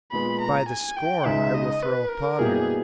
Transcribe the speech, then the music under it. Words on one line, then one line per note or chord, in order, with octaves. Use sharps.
"By the scorn I will throw upon her."
A#2 G#3 B3 B5
A#5
G#5
G5
C#2 C#3 G#3 D#4 E5
D#5
B4
A#4
B2 G3 A#3 E4 G4 G#4